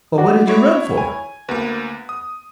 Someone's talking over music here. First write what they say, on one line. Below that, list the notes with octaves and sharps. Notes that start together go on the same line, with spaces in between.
"Well what did you run for?"
D4 F#4
E4 C#5 C#6
G#5
D2 A#3 B3
D#6